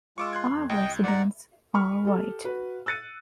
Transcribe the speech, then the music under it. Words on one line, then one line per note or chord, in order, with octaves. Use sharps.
All residents are white.
G#3 F4 C#6 D6 E6
C6 F#6 G#6
F2
C2 D#5 G5
G#2 D5 F#5 A#5
B5 C#6 F6
G4 A4
F#4 B4
E6 F#6 A6 C#7 D#7